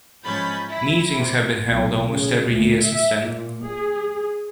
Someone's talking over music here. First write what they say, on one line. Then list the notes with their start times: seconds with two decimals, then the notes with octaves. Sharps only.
Meetings have been held almost every year since then.
0.24 G#2 F3 C#4 B5 G6 A6
0.70 E4
1.16 C3
1.69 B1
2.08 C#3
2.49 D2
2.85 E5
3.25 A#2
3.65 G#4